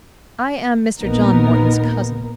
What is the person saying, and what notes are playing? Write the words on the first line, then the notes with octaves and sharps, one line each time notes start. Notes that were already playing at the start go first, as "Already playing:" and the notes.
"I am Mr. John Morton's cousin."
A#1 D#2 B3 D#4 A#4